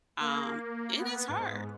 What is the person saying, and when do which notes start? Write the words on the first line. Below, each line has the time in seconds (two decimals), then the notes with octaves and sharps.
um, it is hard.
0.20 A#3
0.57 A#3
0.98 B3
1.29 G#2